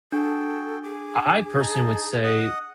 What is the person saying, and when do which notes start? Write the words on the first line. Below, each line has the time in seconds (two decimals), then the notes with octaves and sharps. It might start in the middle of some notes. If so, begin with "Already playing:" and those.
I I personally would say
0.12 D4 F#4 G#4 A4 G5
0.83 G#4 D6
1.60 D#4 D#5 A5
2.24 D#5 F#5 D#6